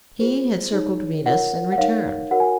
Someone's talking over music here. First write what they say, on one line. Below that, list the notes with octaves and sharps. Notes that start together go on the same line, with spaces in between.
He had circled Venus and returned.
F4 G#4 C5
D#4 G#4 C#5
F4 A#4 C#5 F#5
F#5
D#4 A#4 C#5 F5
F#4 A#4 C#5 F#5
G#5